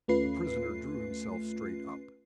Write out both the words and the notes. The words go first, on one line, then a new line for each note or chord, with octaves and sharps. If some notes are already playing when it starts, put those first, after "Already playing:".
The prisoner drew himself straight up.
D#2 A3 C#4 F4 B4 C7